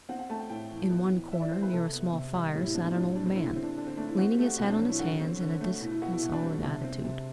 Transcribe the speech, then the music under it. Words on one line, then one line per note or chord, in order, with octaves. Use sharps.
In one corner, near a small fire, sat an old man, leaning his head on his hands in a disconsolate attitude.
C4 F#5
F#5
A3 A5
G5
A2 G5
E3
B3
E3
E3 E5
D5
B3 C5
B4
C3 A4
B3
C3
G3
A2 G4
E4
C4 D4
C4
A2 D4
G3 D4
C4
D3 E4
E4
C4
D4
D3 D4
C4
A3 D4
E4
C4 F#4
G4
A3
F#4
B2 C4 F#4
D4
F#3
E4
D3 F#4
C4
D3
A3
B2 E4
E4
B3 F#4
E4
B2 F#4
D4
G3 C4
C3 D4
C4
C3